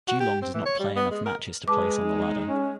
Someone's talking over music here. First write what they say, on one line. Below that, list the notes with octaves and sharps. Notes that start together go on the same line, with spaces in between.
Geelong did not play enough matches to place on the ladder.
F#4
G4
C4
E3
C#5
G3
B3
G#3
A#4
G#3 G#4 B4 A5 D6
D#4
C#4